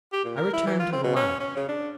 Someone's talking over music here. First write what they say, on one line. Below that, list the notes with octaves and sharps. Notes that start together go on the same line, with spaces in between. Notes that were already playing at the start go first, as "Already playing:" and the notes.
I returned to the lounge.
G4
A#2
A#4
E4
E3
F4
C4
B2
C#4
C#4
C#3
D4